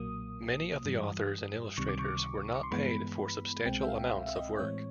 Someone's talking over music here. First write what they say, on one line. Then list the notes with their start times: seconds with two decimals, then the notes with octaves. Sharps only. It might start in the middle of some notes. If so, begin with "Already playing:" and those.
Many of the authors and illustrators were not paid for substantial amounts of work.
Already playing: B1 A#2 F#3 A#3 D#6
0.84 G2 E3 G3
1.77 C#2 C3 D#3 G3 C#6
1.89 D6
1.99 C#6
2.55 C#6
2.63 C6
2.71 G2 E3 G#3 B3 B5
3.65 C2 B2 G#3 C4 G5
3.83 E5
3.89 F5
4.27 E5
4.35 D#5
4.58 A2 E3 G#3 C4 C#5